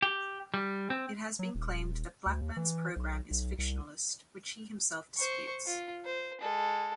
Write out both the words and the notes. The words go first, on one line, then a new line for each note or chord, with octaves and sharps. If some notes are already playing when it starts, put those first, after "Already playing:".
It has been claimed that Blackburn's programme is fictionalist, which he himself disputes.
G4
G3
C4
F#3
D#1
D2
D#2
E3
B1
B1
C2
C5 C#6
F4
C5
G#3 A4